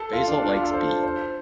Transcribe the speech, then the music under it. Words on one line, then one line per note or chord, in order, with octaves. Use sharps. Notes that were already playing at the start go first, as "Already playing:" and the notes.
Basil likes Bee.
Already playing: A4
F4
D4
D4
F4
A4
C5
C5